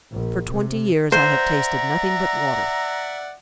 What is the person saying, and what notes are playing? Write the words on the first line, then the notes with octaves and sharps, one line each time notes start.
"For twenty years I have tasted nothing but water."
A#1
C3
C5 D5 E5 F#5 A#5